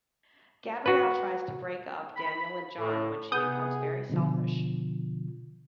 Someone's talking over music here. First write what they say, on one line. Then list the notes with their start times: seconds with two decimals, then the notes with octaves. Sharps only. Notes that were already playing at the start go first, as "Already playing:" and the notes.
Gabrielle tries to break up Danielle and John when she becomes very selfish.
0.86 F#4 B4
2.17 B5
2.79 A2
3.32 C3 B3 G#4 D#6 G6
4.09 B2 D3 F3